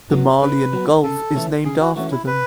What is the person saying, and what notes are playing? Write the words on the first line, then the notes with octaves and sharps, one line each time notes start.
The Malian Gulf is named after them.
F#3 B3
D3 B4
F#3 B3
C#3 A4
E3 A3 C#4
C#3 G#4
F#4
E3 A3 C#4 F#4
E4
B4